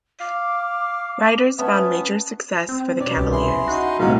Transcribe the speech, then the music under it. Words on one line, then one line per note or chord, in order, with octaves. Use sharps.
Riders, found major success for the Cavaliers.
F5 D6
B3 C#4 B4 E5 A5
C4
B2 C#4 D5
C2 G4
E4 G#4 C6
D#4 F#4
B1 A2 C3 F#3 A#3 D#4 F5